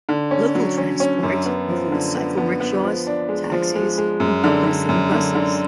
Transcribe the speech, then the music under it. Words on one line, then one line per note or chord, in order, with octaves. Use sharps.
Local transport includes Cycle Rickshaws, Taxis and Public City Buses.
D3
C#4
F#3
C#4
C#4
F#2
B3
F3
D3
B3
B3
B3
F3
D4
G#3
F3
G#3
G#3
F#2
D3
D3
F#2
D3
D3